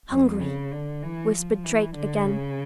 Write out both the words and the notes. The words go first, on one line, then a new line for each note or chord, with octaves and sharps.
"Hungry," whispered Drake again.
F2
C#3
D3
E3
F3
E3
D3
C#3